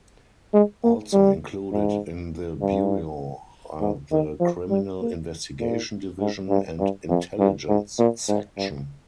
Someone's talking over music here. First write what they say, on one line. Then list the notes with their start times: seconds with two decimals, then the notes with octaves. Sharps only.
Also included in the bureau are the Criminal Investigation Division and Intelligence Section.
0.53 G#3
0.84 A#3
1.13 G3
1.72 G#2
2.62 G2
3.81 G#2
4.12 D#3
4.40 F3
4.70 G3
5.01 A#3
5.60 A#2
6.20 G#2
6.49 G2
6.80 G2
7.09 F2
7.39 G2
7.68 G#2
7.99 A#2
8.28 G#2
8.57 G2